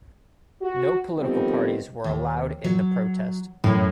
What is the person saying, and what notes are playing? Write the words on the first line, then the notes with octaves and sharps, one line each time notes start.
No political parties were allowed in the protest.
F#4
D3 D#3 F3 G3 B3 C4
D#2
F#3
F#2 A2